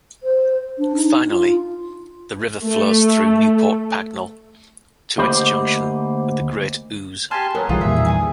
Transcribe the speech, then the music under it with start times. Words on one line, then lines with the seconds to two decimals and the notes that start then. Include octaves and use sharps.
Finally, the river flows through Newport Pagnell to its junction with the Great Ouse.
0.23 C5
0.79 D4
0.96 D#4
1.29 F4
2.63 A3
5.18 D2 A#3 G4 C5 D#5 B5
7.31 G4 G#5 A5 C6 F6
7.55 F#3 B3 A#4
7.69 B1 E3 G3 F4 G#4
7.81 E2 A#2 D#3 G3 E5
8.06 E3 G#5 C#6 D#6